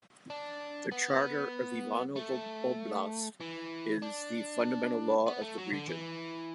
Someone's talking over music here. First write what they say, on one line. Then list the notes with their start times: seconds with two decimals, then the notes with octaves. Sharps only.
The Charter of Ivanovo Oblast is the fundamental law of the region.
0.30 D4
0.92 B3
2.16 A3
3.40 E3
4.02 D4
5.27 B3
5.42 A3
5.58 F#3
5.73 D3
5.89 E3